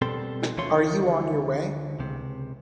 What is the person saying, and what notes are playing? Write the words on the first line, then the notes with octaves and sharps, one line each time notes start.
Are you on your way?
B2 G3 C4 A4 C6
D2 D3 E3 F4 C#5 C6
C#2 C3